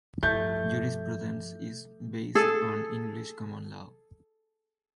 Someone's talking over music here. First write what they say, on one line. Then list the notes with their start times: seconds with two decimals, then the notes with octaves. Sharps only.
Jurisprudence is based on English common law.
0.23 G2 F3 A3 G6
2.35 G#4 A4